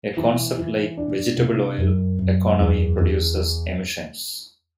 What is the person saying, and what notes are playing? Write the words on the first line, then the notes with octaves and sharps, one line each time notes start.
A concept like vegetable oil economy produces emissions.
E3
E3
D4
C3
F#2
F#2
E2
E2